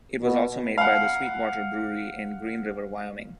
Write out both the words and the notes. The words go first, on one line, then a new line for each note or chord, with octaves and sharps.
It was also made by the Sweetwater Brewery in Green River, Wyoming.
B2
F5 F#5